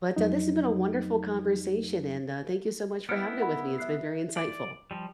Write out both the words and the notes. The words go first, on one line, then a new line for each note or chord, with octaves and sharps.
But, uh, this has been a wonderful conversation, and, uh, thank you so much for having it with me, it's been very insightful.
F2 F#3 D#4
B3 E4 F6 C#7 D7
A#4 F#5 B5
E5 F#6 C7
D5
F3 G3